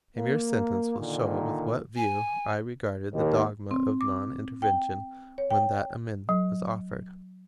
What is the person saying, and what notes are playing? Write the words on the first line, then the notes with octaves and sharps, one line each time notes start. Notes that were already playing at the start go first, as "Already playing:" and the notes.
A mere sentence will show with what view I regarded the dogma of non-intervention when that amendment was offered.
A#3
A#2 D3 D#3
G#5
D#2
C4
D6
G5
C#5
G5
F#3